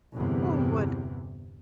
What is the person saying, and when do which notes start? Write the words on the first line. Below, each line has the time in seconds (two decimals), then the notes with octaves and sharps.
Oh, what
0.16 G1 E2 C3